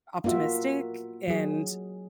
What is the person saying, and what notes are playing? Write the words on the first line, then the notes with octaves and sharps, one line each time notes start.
optimistic, and
A#3 B3 F4 F#4 E5
F#3 G#4